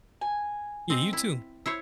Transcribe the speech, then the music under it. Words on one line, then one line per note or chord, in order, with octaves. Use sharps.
Yeah, you too.
G#5
C4 D#5
E4
E4 C5 C#5